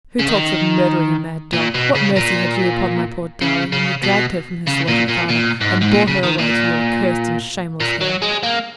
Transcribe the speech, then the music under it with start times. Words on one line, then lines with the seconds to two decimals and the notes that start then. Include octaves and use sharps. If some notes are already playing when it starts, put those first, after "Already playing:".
'Who talks of murdering a mad dog? What mercy had you upon my poor darling, when you dragged her from her slaughtered father, and bore her away to your accursed and shameless harem.'
0.19 C#3
0.28 D#3
1.53 A#2
1.74 B2
1.95 C#3
2.16 A#2
3.42 C#3
3.73 C#3
4.03 B2
4.67 C#3
4.88 A#2
5.08 A#2
5.29 A#2
5.61 G#2
5.81 G#2
5.92 A#2
6.08 C#3
6.23 D#3
6.39 A#2
7.80 A#2
8.01 F#3
8.22 G#3
8.43 A#3